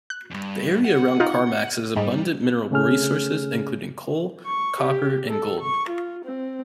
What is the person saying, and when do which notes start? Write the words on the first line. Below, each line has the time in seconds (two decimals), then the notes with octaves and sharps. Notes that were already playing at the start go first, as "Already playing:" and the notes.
The area around Carmacks has abundant mineral resources, including coal, copper, and gold.
0.10 F#6
0.31 E2 G2
0.85 F#5
1.20 D#4 F4
1.96 G#2 G3
2.71 C#3 A3 C#4 G#4 F6
4.45 C#6
4.80 G4
5.30 A4
5.60 C#6
5.89 F4
6.25 C4